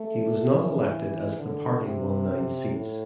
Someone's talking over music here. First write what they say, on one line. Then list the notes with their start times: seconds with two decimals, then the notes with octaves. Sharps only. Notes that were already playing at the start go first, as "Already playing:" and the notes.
He was not elected as the party won nine seats.
Already playing: A3
0.50 E3
1.38 D3
1.83 C3
2.71 A2